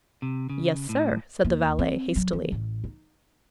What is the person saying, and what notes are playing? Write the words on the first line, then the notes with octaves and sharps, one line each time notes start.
"Yes, sir," said the valet hastily.
C3
C#3
A2
D#2
C4
F#3
E3
A1
D#4